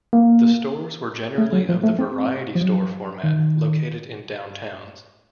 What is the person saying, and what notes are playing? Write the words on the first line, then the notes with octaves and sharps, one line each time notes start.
The stores were generally of the variety store format located in downtowns.
A#3
A3
F#3
F3
A3
C4
F3
F#3
D#3